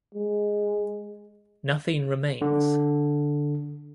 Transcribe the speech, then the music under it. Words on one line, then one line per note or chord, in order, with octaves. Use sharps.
Nothing remains.
G#3
D3